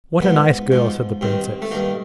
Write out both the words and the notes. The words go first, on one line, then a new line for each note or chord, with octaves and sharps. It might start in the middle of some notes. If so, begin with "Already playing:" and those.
"What a nice girl!" said the princess.
G#2 F3 B3
G#2 F3
G2 D#3 C4
A3
G2 D#3 A#3